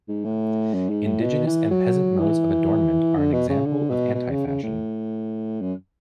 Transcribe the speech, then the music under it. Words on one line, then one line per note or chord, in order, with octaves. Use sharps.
Indigenous and peasant modes of adornment are an example of anti-fashion.
G#2
A2
F#2
G#2
A2
B2
E3
F#3
E3
D3
B2
C#3
D3
B2
B2
C#3
C#3
A2
F#2